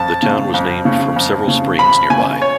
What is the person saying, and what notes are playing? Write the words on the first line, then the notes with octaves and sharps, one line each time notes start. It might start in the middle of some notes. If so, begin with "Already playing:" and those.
The town was named from several springs nearby.
Already playing: F2 A5
C#3
F2
C#3
F2
C#3
F2 B5
C#3 G#5
C#5